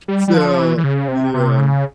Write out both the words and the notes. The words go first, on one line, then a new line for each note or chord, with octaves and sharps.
So, yeah.
G3
G3
F3
E3
E3
C#3
C3
C3
C#3